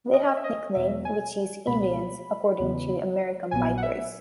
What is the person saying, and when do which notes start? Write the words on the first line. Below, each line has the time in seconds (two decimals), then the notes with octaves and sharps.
They have nickname which is "indians" according to American bikers.
0.13 D#5
0.37 E5
0.44 D#5
0.75 E2 B2 F#3 B3 E5
1.05 G#5
1.67 C#2 B2 G#3 B3 B5
2.60 E2 C#3 E3 B3
3.51 A#1 A#2 F#3 B3 G#5
3.78 F#5
3.83 E5